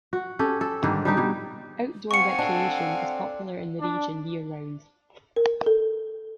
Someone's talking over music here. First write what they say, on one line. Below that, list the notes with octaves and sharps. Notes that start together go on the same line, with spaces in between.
Outdoor recreation is popular in the region year-round.
F#4
C#4 G4 A4
A4
G#2 D3 D#3 G3
G3 D4 D#4 G4
B2 G3
C4 F5 F#5 G#5 C#6 C#7
D4 A4
D4
A#4
A4